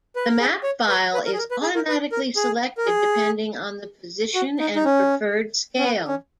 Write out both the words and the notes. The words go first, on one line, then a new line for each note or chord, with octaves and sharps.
The map file is automatically selected depending on the position and preferred scale.
B4
A#4
G#4
C#5
B4
B4
A#4
G#4
A#4
B4
G#4
A#4
B4
A#4
G#4
A#4
G#4
F#4
D#4
D#4
C#4
C#4
B3
C#4